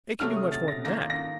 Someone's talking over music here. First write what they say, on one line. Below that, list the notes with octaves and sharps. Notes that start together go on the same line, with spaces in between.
It can do much more than that.
C3 F#3 A3 F6
D#6
A6
A#6
D#3 A#3 F4 A#6
A#6